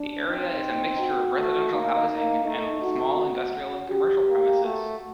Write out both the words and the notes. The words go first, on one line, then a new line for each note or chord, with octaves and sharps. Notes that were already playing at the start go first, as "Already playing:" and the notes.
The area is a mixture of residential housing and small industrial and commercial premises.
Already playing: D4
C4 D#4
F#4
A3
A#3 D#4
A#3
A3 D#4
F#4
F#4
G4
A#3
A3 F#4